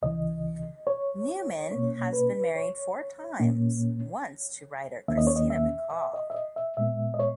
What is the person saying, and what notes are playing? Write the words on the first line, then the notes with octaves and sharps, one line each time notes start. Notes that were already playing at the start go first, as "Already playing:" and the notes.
Newman has been married four times, once to writer Christina McCall.
C#2 C#3 E3 D#5
C#5
B2 A#3 C#4 C#5
B4
C#5
A#2 A#3 C#4
D#2 D#3 A#3 C#4 E5
D#5
C#5
D#5
E5
E5
D#5
E5
D#5
E5
A#2 G#3 B3 E5
D#5
C#5